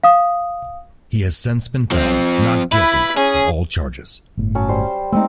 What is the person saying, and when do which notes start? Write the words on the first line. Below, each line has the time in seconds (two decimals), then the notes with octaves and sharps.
He has since been found not guilty of all charges.
0.04 F5 D#6
1.92 F3 C4
2.72 E4 B4
3.17 C#4 G#4
4.37 G1 A2
4.55 F#3 C#4 A5
4.69 G3 C5
5.12 G#3 A3 C4 D#4